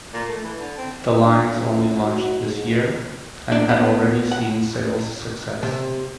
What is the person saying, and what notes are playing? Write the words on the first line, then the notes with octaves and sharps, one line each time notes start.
The lines only launched this year and had already seen sales success.
A#2
A3
E3
D3
C4
D4
A3 C4 C#4 E4 F4
G2 F#3 D#4 F#4
G#2
D4
B3
F#5
C3